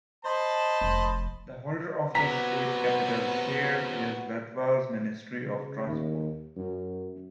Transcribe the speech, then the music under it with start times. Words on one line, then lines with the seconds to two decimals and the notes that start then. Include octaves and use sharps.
The holder of the state capital share is Latvia's Ministry of Transport.
0.25 C5 D#5 A5 B5 C6
0.81 F1 F2
2.15 C3 F#3 B3 F#4 A#5 B6
5.43 C#3
5.86 D#2
6.56 F#2